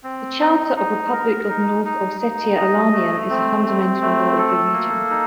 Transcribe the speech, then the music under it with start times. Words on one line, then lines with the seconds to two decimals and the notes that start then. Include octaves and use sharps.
The Charter of Republic of North Ossetia-Alania is the fundamental law of the region.
0.04 C4
0.40 D#4
0.76 D#4
1.12 A#4
1.49 D#4
1.85 D#4
2.21 D#4
2.57 D#5
2.93 A3
3.30 C4
3.65 C4
4.02 A3
4.38 A4
4.73 A#3
5.10 D#4